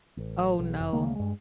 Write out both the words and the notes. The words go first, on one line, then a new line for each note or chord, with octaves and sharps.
Oh, no.
A1
B1
F1
D2 C#3 G#3 A#3
G2 G#3